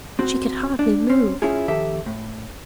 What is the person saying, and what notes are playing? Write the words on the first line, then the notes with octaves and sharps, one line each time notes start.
She could hardly move.
C4 F#4
D4
C4 C#4
C#4 E4 F4 G#4
F2 D#3 G4 A4 E5
A2